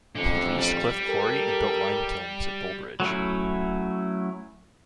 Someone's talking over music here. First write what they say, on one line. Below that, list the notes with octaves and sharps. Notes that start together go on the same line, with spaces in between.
He leased Cliff Quarry and built limekilns at Bullbridge.
A1 F2 D3 C4
G3
G4 A4 A#4
F#3 A3 C#4 E4